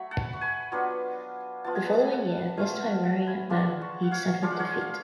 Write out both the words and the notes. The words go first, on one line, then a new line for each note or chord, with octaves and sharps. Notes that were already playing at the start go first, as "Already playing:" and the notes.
The following year, this time rowing at bow, he suffered defeat.
Already playing: F#3 A3 B5 C#6
F#5 A5
C#6
G#5 B5
F#3 B3 D4 F4
F3 B3 F4 A5
G#5
F#5 A5
G#5
F#5 A5
F3 A3 C#4 F4 F5 G#5
F#5 A5
F#5 A5
G#5 B5
G#3 D4 F4 F#5 A5
A5 C#6
F#5
C#5 F5
F3 G#3 D4 F4 F5
F#5
C#5 F5
F5